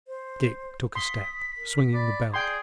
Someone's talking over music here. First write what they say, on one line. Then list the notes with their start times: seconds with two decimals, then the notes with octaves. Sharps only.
Dick took a step, swinging the belt.
0.08 C5
0.95 C6 D#6 B6
1.57 A#4
1.94 D5 B5
2.34 G#4 D5 G5 C6 G6